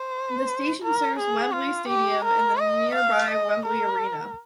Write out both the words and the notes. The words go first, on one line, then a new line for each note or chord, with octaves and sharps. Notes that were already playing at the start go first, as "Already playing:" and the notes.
The station serves Wembley Stadium and the nearby Wembley Arena.
Already playing: C5
A#4
G#4
F4
G4
A#4
D#5
F5
D#5
A#4